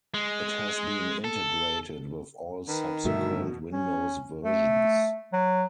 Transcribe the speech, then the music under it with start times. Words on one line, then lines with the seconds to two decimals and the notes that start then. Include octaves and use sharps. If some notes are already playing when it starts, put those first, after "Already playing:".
It has been integrated with all subsequent Windows versions.
0.14 G#3
1.24 A4
2.68 D#3 B4
3.05 G2 B2 D3 A3 E5
3.73 C#4
4.44 A3
5.33 F#3